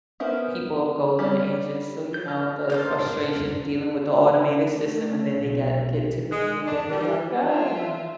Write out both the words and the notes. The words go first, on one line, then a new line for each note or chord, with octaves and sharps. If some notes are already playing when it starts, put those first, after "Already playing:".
People of golden ages, so, you know, the frustration dealing with the automated system and then they got get to me and then they're, like, "Ah," you know,
B3 C#4 A#4 C5 E5
D#3 G3 C4 C#4
G6
D#5 A5 F6
A#3 C5 A5 F6 G6
D4 A#4 D5
A3
B1
G#3
D4
G3
F4 E5